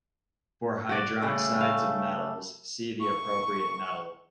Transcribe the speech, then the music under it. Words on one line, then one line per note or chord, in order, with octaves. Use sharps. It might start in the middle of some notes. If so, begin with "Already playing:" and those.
For hydroxides of metals, see the appropriate metal.
F#4 D5
C#3 G3 A3
F5
C#6